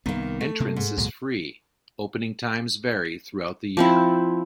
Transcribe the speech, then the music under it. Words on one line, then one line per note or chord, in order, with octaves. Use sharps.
Entrance is free, opening times vary throughout the year.
C2 D#3 A#3 B3
A3
C3 A#3
G#2
C#2 A#2 F#3
F3 C4 E4